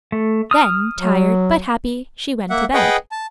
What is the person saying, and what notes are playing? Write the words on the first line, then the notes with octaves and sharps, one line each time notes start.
Then, tired, but happy, she went to bed.
A3
D#6 F6
F#3
A#3 E5 F#5
G#4 B4 D#5 F#5 G5
A5